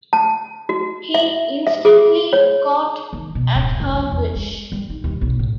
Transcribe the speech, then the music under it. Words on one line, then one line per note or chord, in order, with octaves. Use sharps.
He instantly caught at her wish.
A5
F#4
E5
E5
G#4
C#5
D#3
B2
D1
F1
F2
E2
G#3
G3
D#4
D#2
B1
A2